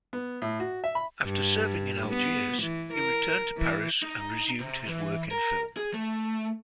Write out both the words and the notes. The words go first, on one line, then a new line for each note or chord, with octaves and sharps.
After serving in Algiers, he returned to Paris and resumed his work in film.
B3
A2
F#4
E5
B5
G2
B3
E3
A#4
E3
D#4
C3
E3
A#4
G#4
A3